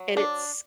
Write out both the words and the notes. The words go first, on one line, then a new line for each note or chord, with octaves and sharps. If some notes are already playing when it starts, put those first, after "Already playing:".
And it's
Already playing: F#3
D4